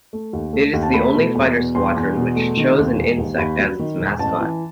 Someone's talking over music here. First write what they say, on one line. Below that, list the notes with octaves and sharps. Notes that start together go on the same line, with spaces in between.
It is the only fighter squadron which chose an insect as its mascot.
A3
D#2
A3
D#2
A5
A3 B5
B2
E2
B2
E2 C6
E2
B2
A3
D#3
D#2
E1
D#2
D#2 B5
F#3
D#3
E1
A1 A5
E3